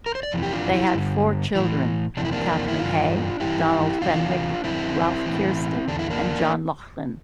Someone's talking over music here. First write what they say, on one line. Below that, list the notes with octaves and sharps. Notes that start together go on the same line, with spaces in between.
They had four children : Katherine Hay, Donald Fenwick, Ralph Keirstead and John Lauchlan.
A#4
C5
D5
F2 C3 E3
G4
D4 F4
E4 G4
G2 D3
A2 E3
F2 C3 E3 D4
E4
A#3 D4
E4
G2 E3 D4 F4
G2 E3 E4 G4
E2 C3 E3 D4 F4
F2 D3 C4 E4
A2 E3
E2 D3 D4
E4
A#3 D4